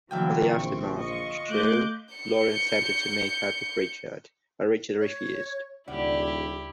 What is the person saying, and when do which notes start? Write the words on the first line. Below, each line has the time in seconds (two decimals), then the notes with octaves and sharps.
On the aftermath show, Lauren attempted to make out with Richard, but Richard refused.
0.11 D3 E3 F#3 A#3 E5 F5 G5
0.51 A#1 C4 C#6
0.99 F4 D#5 C#6
1.50 A3 D6 F#6 G6
2.14 G6 C#7
5.00 C#5
5.88 D#1 D2 C#3 E4 G4 D5